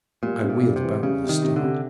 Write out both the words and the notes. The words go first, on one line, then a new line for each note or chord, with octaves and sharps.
I wheeled about with a start.
A#2 G3
C3
A#2
G3
C3
E3
C#3 G3
C3
D#3
C3
D3
C3